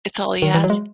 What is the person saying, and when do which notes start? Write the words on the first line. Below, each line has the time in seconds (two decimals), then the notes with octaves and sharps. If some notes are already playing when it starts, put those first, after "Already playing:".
It's all he has.
0.42 D#3
0.54 E3
0.64 F#3
0.70 G#3